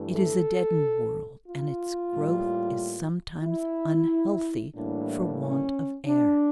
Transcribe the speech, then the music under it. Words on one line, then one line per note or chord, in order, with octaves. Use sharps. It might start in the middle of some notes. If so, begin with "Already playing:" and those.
It is a deadened world, and its growth is sometimes unhealthy for want of air.
Already playing: G2 E3 A3
A4
F4
A2 G3 A#3
E4
A2 E3 G3 A#3 D4
C#4
D4